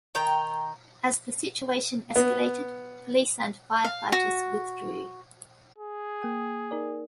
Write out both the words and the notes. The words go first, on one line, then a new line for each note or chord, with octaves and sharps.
As the situation escalated, police and firefighters withdrew.
D#3 G5 A#5
B3
F5
F#4
G#4
A#3 G5 D#6
D#4 A#4 D5